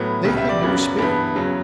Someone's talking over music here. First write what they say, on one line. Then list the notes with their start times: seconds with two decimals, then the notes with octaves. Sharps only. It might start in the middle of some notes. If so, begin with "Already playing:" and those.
They have more spirit.
Already playing: A2 F#3 B3
0.24 C#2 B2 G3
0.37 E5
0.49 D5
0.61 F#2 C#3 F#3 B3 D5
0.98 G2 E3 B3
1.35 E2 C#3 F#3